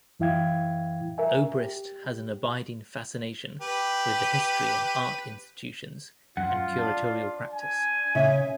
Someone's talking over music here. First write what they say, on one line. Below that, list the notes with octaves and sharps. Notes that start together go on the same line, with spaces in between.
Obrist has an abiding fascination with the history of art institutions and curatorial practice.
F#2 E3 E4 F5 G5 G#6
A#4 E5 G#5
G4
G4 B4
F#2 F4 F#5
D4
G#5
C#3 E5